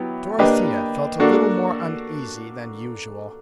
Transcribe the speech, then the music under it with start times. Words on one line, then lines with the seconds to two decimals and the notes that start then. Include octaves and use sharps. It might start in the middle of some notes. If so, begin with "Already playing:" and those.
Dorothea felt a little more uneasy than usual.
Already playing: F#3 B3 E4 G4
0.39 A#3 D4 G4 B4 D#5
1.20 A#3 D4 F#4 A4